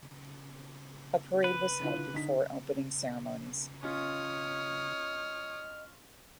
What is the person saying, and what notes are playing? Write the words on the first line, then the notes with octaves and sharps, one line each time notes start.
A parade was held before opening ceremonies.
B4
D3 E4 F4
D3 D#4 B6
C#4 F4 C#5 D#5 D#6 F6